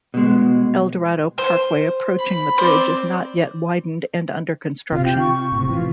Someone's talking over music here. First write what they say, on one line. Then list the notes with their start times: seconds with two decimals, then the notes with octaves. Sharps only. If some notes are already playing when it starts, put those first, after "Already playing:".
Eldorado Parkway approaching the bridge is not yet widened and under construction.
0.14 B2 G#3
1.38 C5
2.18 B5
2.58 C4 C5 D5
4.92 C3 F4
5.05 G5
5.20 C#6
5.52 A2 C3
5.70 E3 F4